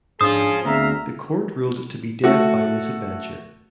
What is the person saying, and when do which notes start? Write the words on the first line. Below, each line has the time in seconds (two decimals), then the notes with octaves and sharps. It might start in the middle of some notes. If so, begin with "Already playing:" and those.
The court ruled it to be death by misadventure.
0.21 G#2 C#4 D4 F4 G#4 C5 D#6
0.65 D2 B3 C4 G#4 E5 F5 A#5
2.24 A3 F#4